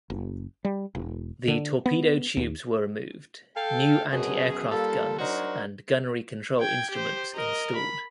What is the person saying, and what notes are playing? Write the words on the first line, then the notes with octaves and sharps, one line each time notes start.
The torpedo tubes were removed, new anti-aircraft guns and gunnery control instruments installed.
F#1
G3
E1
D3
B3
D#2
A4 F5 G5
F#2 B2 G#4
G3 A#3 F4 A4
F#3 D4 D#4 F#4 A#4 C5
G5 G#6
G4 C5
A#4 D#5
B5